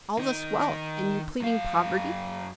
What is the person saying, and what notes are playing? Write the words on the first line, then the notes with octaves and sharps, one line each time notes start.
"All this wealth, and you pleading poverty?"
D#3 D#4
F#2 F5